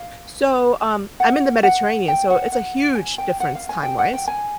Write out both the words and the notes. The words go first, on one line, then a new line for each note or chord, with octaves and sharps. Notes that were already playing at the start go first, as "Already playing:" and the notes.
So, um, I'm in the Mediterranean, so it's a huge difference time-wise,
Already playing: F5
F#5
F#5
G5
F#5
F#5
G#5
G5
F#5
F5
G#5
G5
F#5
G5
G#5